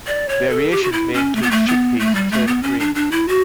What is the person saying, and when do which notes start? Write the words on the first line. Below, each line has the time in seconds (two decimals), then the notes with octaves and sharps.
Variations may include chickpeas and turnip greens.
0.07 D5
0.29 C#5
0.50 A4
0.71 G4
0.83 F#4
0.92 E4
1.14 C#4
1.35 A3
1.43 B3
1.51 A3
1.68 B3
2.00 A3
2.15 G3
2.32 A3
2.47 B3
2.63 C#4
2.80 D4
2.95 D4
3.12 E4
3.28 F#4